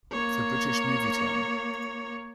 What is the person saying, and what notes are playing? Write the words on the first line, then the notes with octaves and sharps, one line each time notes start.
For British Movietone.
A#3 C#5